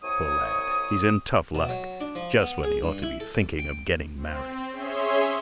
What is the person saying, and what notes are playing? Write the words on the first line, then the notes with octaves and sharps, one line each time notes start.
Poor lad, he's in tough luck--just when he ought to be thinking of getting married.
C2 C#5 D#6
B2
F#3
D4
F3
B3
G#4
G2
E4
A4
G5
C4
C#4 G#4 C#5 E5 C6